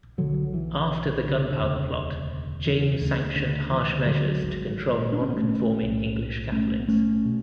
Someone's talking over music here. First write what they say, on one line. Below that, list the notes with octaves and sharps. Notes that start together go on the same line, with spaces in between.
After the Gunpowder Plot, James sanctioned harsh measures to control non-conforming English Catholics.
B1 B2 D3 F#3
E3
D3
D3
E1 D2 C#3
E3
D2 C#3
D3
E3
D3 F#3
G#1 G#2
D4
C#4
B3
A3 C#4
B1 A2
A3 C#4
B3
A3 C#4
B2